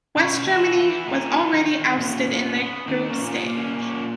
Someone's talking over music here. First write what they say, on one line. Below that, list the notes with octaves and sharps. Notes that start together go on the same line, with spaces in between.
West Germany was already ousted in the group stage.
B2 C#4
B2 E3 E4
E3 B3 E4
A#2 D#3 D#4
B3
D#3 D#4
F#3
A#2 C#4
A#2
B3
D#3 A#3 D#4
C#4
A#2
C#4
B3
A#3
C#4
A#2 C#4